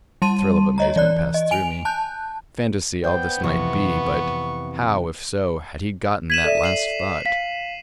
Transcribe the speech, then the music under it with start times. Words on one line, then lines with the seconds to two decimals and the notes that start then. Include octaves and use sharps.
A thrill of amazement passed through me; fantasy all this might be but--how, if so, had he gotten that last thought?
0.22 G3 A5 C6 D#7
0.78 C#5 D#5 A#5
0.96 E3 D5 F#6
1.34 D#5
1.51 G#5 D7 F7
1.85 A5 F#6 G6
3.04 B3 C5 D5 G5
3.43 F2 C3 E3 C#6
6.30 G#6 B6 D#7 E7 F#7
6.44 A4 D5 E5
6.64 C7 E7 F#7
7.26 F5 B6